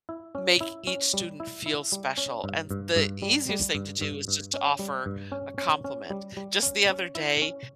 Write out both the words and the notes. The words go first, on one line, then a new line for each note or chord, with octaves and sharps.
make each student feel special, and, the easiest thing to do is just to offer a compliment. Just the other day,
E4
C#4
E4
C#4
G3
E4
E4
G3
C#4
G2
G2
G2
G3
G3
G2
G2
G2
C#4
G3
G2
C#4
C#4
C#4
G3
G3
C#4
C#4
E4
C#4